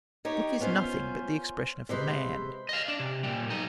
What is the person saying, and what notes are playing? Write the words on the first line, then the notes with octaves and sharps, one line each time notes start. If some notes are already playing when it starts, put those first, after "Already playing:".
The book is nothing but the expression of the man.
D#4 G4 C#5
B3 C#4 F4 C5
C3 G#3 B4 C5
D#5 F5
D4
C3
A#2 G3
B1 D#4